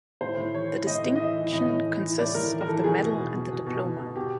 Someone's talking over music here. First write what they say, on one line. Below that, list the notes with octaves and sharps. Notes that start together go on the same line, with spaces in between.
The distinction consists of the medal and the diploma.
A2 C5
A2
E3 C#5
E3
A2 D#5
A2
D#5
E3 E5
E3
A2 D#5
A2
E3
E3
A2 D5
A2 A#4
E3
A#4
E3 A4
B2 G#4
B2
B2
B2
B2
B2
B2
B2
B2 G4